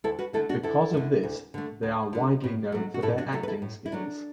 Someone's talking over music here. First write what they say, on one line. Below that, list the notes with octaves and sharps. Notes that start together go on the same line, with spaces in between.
Because of this, they are widely known for their acting skills.
D2 E4 A4
F#4 B4
D3 A3 E4 A4
D4 F#4
D2 E4 A4
D3 A3
D2
D3 A3
D2
D3 A3
A2
F#3 A3
F#4
A2 E4 A4
D4 F#4
F#3 A3 E4 A4
B4
E4 A4
A2
E4
F#3 A3 D4